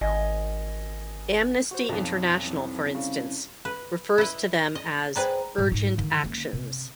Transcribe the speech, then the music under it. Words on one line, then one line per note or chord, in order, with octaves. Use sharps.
Amnesty International, for instance, refers to them as "Urgent actions".
G#1 D#5 G#5
F#4 G4 C5
B1 F2 D5 A5 A#5
C2
C#3
B4
E4 B4 D#5
D#5
G#4 B4 C5 D5 G5 A#5
G2
G#2
D3 D#3
A#3 C#4
C3